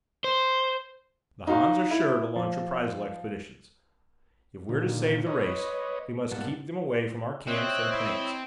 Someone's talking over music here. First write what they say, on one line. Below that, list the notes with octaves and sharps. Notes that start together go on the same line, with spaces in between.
The Hans are sure to launch reprisal expeditions. If we're to save the race we must keep them away from our camps and plants.
C5
D#4 F#4 F5
E4
F3
A#2 D3 D#3
B4 C#5 D#5
G#2 B2 G3 A#3 F#5 A5
C4 C#5 D#5 E5 F#6
E4